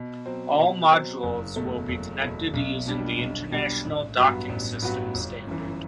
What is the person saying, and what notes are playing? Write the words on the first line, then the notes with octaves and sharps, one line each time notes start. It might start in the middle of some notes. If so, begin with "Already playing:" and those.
All modules will be connected using the International Docking System Standard.
Already playing: B2
F#3 C4
B2
F#3 C4
F#1
E2 B2 A3
F#1
E2 B2 A3
B1
B2 G3 D4
B1
B2 G3 D4
A1
G2 F#3 B3 F#4
A1
G2 F#3 B3 F#4
G1
F#2 E3